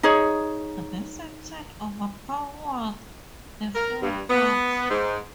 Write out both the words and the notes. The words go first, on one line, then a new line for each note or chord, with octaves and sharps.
This in turn overpowered the fuel pumps.
D#4 G#4 C#5
A#4
G2
B3
G#2